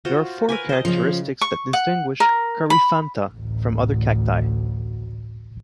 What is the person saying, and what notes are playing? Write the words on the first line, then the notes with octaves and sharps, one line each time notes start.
There are four characteristics that distinguish "Coryphantha" from other cacti.
F4 F#4 C5
A#4 B4 G#5
C5 D#5
C#3 F3 C#4
C#6
F#5
A#4
B5
A1 D2